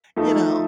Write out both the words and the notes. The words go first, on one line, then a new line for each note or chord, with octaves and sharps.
you know,
F3 A3 D#4 A4